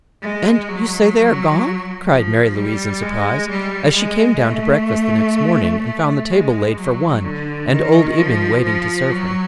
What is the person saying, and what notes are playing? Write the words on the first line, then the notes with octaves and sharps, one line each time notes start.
"And you say they are gone?" cried Mary Louise in surprise, as she came down to breakfast the next morning and found the table laid for one and old Eben waiting to serve her.
G#3
F#3
F3
G3
G#3
G3
G#3
A3
A3
G#3
F#3
D3
D#3
F3
F3
F#3